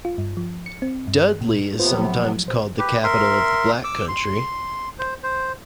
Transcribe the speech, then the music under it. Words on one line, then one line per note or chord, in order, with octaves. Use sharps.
Dudley is sometimes called the capital of the Black Country.
F4
G2
F3
C#7
C4
G2
A#2
A2 C3 B3 F4 B4 C5
F3 F#3
A#2 C5
G4 B4
A#4 E5 C6
D6 E6
C6
C5
C5